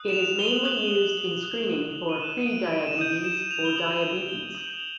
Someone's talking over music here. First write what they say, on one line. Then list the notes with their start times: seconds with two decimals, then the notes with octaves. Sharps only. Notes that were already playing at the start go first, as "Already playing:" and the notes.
It is mainly used in screening for prediabetes or diabetes.
Already playing: D#6 F#6
0.08 E7
0.13 F7
0.39 G7
0.47 F#7
0.56 F7
0.65 D#6 F#6 F#7
1.42 D#6 F#6 F#7
1.69 F7
2.09 D#7
2.21 D#6 F#6 E7
2.41 D#7
2.47 D7
2.73 D7
2.87 E7
2.98 D#6 G6 D#7
3.24 E7
3.51 F7
3.65 G7
3.76 D#6 G6 F#7
3.96 F7
4.03 F#7
4.28 G7
4.55 D#6 G6 F#7
4.70 F7
4.80 F#7